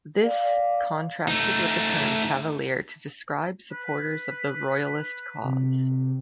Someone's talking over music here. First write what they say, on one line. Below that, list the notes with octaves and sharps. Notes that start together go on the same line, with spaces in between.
This contrasted with the term "Cavalier" to describe supporters of the Royalist cause.
D5 F5
A3 D#4
B4
C3